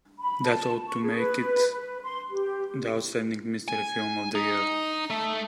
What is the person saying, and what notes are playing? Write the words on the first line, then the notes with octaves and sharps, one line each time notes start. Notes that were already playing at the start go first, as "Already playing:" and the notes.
That ought to make it the outstanding mystery film of the year.
B5
A5
C#6
G#4
B4
B4
C6
G4
G#5
D#4
A3